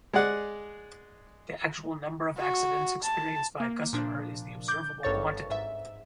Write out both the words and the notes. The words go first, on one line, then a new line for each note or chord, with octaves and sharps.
The actual number of accidents experienced by a customer is the observable quantity.
G#3 G#4 D5 F#5
F#4
A5
A#3
A#2 F3 D4
D6 G6
G#1 G2 A4 C#5 C#6 A6
G#2 E5